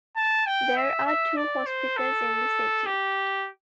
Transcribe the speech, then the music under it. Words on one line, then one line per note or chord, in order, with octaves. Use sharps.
There are two hospitals in the city.
A5
G5
E5
E5
D5
C5
A4
G4